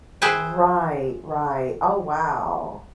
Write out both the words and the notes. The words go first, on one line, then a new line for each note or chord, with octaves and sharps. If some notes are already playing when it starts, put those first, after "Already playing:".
Right, right oh, wow.
G#4 B4 C5 E5 G5 G#5